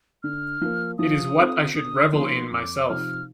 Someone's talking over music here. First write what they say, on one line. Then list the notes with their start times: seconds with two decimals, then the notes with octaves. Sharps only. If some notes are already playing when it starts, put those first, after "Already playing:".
It is what I should revel in myself.
0.23 D3 F6
0.61 F3 A#3
0.98 F3 D#6
1.37 C4 F4 A4
1.74 D3 D#6
2.13 F3 A#3 D#4 C6
2.51 F2 D6
2.89 C3 F3 C4 D#4 F6